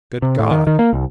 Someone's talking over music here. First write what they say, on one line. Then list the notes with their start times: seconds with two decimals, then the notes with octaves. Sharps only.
"Good God!"
0.22 C3
0.39 A2
0.51 D#3
0.67 D#3
0.79 A#3
0.93 C2